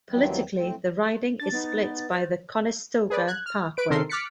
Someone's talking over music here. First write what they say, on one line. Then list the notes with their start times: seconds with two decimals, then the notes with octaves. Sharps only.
Politically, the riding is split by the Conestoga Parkway.
0.11 D#2 D#3 E3 F#3 G3 C4
0.53 A2 C4
1.40 D4 A6
1.52 B3 D#4
2.11 C5
3.10 G#4 B4 D5
3.27 F#6 G#6
3.46 F6
3.77 B4 D7
3.90 C3 D#3 A4 A#4 C6 C7
4.09 D6 F6 F#6 A6 B6 C#7